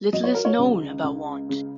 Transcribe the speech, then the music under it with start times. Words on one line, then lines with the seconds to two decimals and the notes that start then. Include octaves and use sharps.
Little is known about Wand.
0.13 F#3 D#5
0.24 C#5
0.35 A#4
0.45 C#5
0.59 C#2
1.04 C#2
1.49 C#3